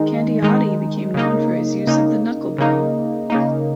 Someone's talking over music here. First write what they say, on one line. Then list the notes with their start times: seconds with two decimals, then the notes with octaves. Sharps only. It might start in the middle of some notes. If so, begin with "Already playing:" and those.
Candiotti became known for his use of the knuckleball.
Already playing: D#3 G#3 D#4
0.42 D#3 G#3 D#4
1.14 C#3 A#3 D#4
1.87 C#3 A#3 D#4
2.58 C#3 A#3 D#4
3.30 C#3 A#3 D#4